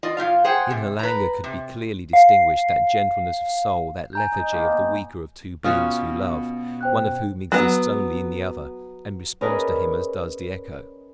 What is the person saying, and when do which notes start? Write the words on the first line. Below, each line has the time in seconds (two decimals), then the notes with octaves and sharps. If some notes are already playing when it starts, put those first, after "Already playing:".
In her languor could be clearly distinguished that gentleness of soul, that lethargy of the weaker of two beings who love, one of whom exists only in the other and responds to him as does the echo.
0.03 F4 D5 D#5
0.17 A#2 C#3 F4 F5
0.44 G#4 C5 F#5 G5
0.70 C3
0.99 B4 A#5
1.44 C3
2.13 F5 C7
4.13 G#5 A#5 G6
4.32 D#4
4.51 D#3 A#3 B3
5.64 B2 C#4 F4 F#4 F5 D#6
6.81 C5 G5 F#6
7.52 F#3 B3
9.41 C#4 G#4 A#4 B4 D5 D#5